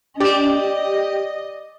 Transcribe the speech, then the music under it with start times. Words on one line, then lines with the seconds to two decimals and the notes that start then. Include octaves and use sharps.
I mean,
0.20 G4 D5 D#5